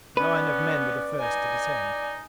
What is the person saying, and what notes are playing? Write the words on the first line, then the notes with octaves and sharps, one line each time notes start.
The line of men were first to descend.
B3 C#4 B4 D5
D#4 G#5